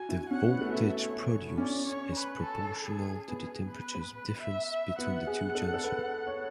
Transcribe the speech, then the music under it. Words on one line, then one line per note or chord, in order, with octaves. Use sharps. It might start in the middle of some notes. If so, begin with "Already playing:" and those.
The voltage produced is proportional to the temperature difference between the two junctions.
Already playing: F#4 G#5
E4
C#4 F#5
B3
A3
B3 E5
C#5
C#5
C#4 D5
C#5
B4
A4
G#4
B3 G#4
B4
B4
E5
E5
B3 F#5
G#4
A4
A4
B4
C#5